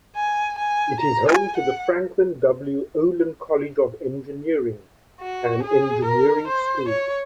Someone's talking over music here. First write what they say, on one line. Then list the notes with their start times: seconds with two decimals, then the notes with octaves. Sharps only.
It is home to the Franklin W. Olin College of Engineering, an engineering school.
0.16 G#5
0.59 G#5
1.01 A#5
1.29 G#5
1.57 F#5
5.21 F#4
5.63 G#4
6.05 A#4
6.47 C5
6.89 C#5